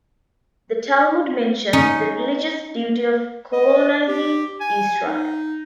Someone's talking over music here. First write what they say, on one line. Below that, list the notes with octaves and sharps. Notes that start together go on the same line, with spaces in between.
The Talmud mentions the religious duty of colonising Israel.
C#4 D#4
D#5
G4
G#5
D#4